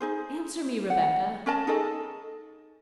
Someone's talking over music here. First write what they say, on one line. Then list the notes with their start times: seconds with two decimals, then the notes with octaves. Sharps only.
"Answer me, Rebecca."
0.01 D#4 G#4 C5
0.90 F#5
1.46 C#4 A#4 D#5 A5
1.67 D#4 G#4 A4 D#5